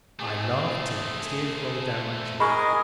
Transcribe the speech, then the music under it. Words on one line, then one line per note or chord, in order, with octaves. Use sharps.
I laughed till the tears rolled down my cheeks.
A3 C4 G#4
C3 G#3 G#4 A#4 D#5 B5 C#6